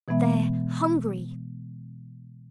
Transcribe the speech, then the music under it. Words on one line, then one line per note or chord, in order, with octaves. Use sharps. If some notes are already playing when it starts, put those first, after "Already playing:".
"They're HUNGRY!"
B2 E3 G#3 B3 E5